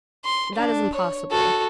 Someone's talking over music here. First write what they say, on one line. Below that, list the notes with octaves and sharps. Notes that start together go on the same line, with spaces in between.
"That is impossible."
C6
D4
C#5
F#4 A4